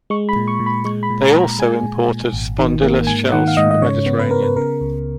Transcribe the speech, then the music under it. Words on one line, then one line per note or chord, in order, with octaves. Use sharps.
They also imported spondylus shells from the Mediterranean.
G#3 C#6
B5
A#2
C#6
A#2
B5
G#3 C#6
B5
A#2
A#5
A#2
A#5
G#3 G#5
A#2
A#2
G#1
D#3
A#3
G#2 G#5
D#3 F#5
F5
G#2 D#5
D#5
C#3 C#5
B3
B4
B3 A#4
B4
C#3 A#4
C#2